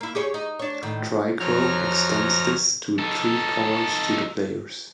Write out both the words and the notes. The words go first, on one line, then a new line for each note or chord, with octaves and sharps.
Trichrome extends this to three colors to the players.
A#3 E4
G4 G#4 C#5
D#4
D4 C#5
A2 D#3
F2 F#3 C#5 A#5 F6
D#4 A4